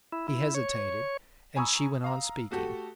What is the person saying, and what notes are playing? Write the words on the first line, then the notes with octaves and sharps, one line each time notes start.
He hesitated--and she went on speaking.
E4
E4
C#5
G#5 A#5 B5 C#6 D#6 E6
F5 A#5
A3 F#4 G4 A4